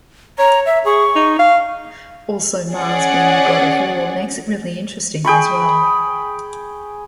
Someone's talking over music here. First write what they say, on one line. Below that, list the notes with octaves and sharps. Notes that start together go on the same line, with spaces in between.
Also Mars being the God of War makes it really interesting, as well.
C#5 A#5
E5
G#4 C#6
D#4
F5
C#4 G#4 D5 F#5
G#4 G5 B5 C#6